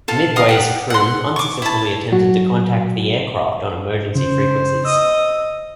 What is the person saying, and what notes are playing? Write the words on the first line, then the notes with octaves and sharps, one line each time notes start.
"Midway"s crew unsuccessfully attempted to contact the aircraft on emergency frequencies.
F4 A4
D#5 F5 D#6
G4 F#5
F#5 C6
C#6 D6
E4 A5
F#3 F#4
C#3 C5
D#5 D#6 E6